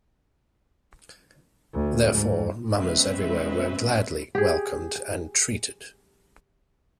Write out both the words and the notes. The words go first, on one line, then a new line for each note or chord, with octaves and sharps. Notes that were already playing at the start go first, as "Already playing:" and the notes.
Therefore, mummers everywhere were gladly welcomed and treated.
D2
G#2
B2 G#3 C4 C#4 B4 E5
G4 G#4